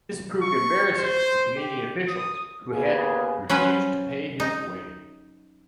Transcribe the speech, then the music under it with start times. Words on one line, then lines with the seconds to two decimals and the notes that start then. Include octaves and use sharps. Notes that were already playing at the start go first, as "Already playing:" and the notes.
This proved embarrassing to Canadian officials who had refused to pay his way.
0.42 C#6
0.95 C5
1.57 G4
2.08 D#6
2.70 D#2 C#3 B3 G#4
3.50 F#3 C#4 B4 C5 F#5
4.40 D#4